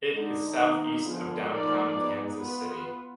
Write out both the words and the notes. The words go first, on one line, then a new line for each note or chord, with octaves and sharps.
It is southeast of downtown Kansas City.
D3 G#3 D#4
D#3 A#3 D#4
D3 F3 B3 F4 G#4
F3 A#3 D#4 A#4 D5
B3 D#4 G#4
B3 F4 B4